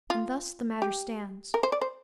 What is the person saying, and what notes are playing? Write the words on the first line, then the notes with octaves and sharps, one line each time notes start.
And thus the matter stands.
F4
G4
A#4
C5
D5
C5